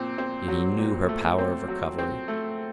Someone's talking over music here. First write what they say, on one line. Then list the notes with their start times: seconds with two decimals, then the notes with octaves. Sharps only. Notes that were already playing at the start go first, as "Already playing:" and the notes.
Yet he knew her power of recovery.
Already playing: A#2 C4
0.18 C4
0.48 F#3
0.78 A#2
1.09 A3
1.38 C4
1.68 F#3
1.99 C4
2.28 A3